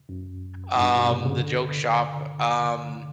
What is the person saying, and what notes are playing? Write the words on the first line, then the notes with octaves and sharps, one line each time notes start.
um, the joke shop. Um,
F#2
G#2
G2
B2
C3
C#3
D3